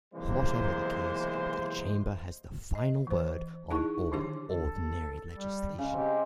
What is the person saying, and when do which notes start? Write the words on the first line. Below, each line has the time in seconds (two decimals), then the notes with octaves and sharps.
Whatever the case, the Chamber has the final word on all "ordinary legislation".
0.14 B1 C3 E3 G#3 A#3 C5
2.75 D#5
3.07 E3 C5
3.71 D#4 E4 G#4 A5 C#6
4.12 D3 D#3 D4 G4 C6
4.48 A4
5.34 G3
5.79 C#3 G#3
5.94 C4 G4